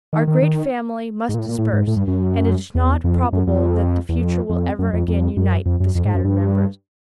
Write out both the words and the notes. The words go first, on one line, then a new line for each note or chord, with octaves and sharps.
Our great family must disperse, and it is not probable that the future will ever again unite the scattered members.
D#3
D#3
D#3
G#2
A#2
A2
A#2
A2
G#2
A2
G2
F#2
E2
F2
F#2
F2
E2
F2
F2
F#2
F2
F2
F#2
F2
F#2
F2
G#2
F#2
G2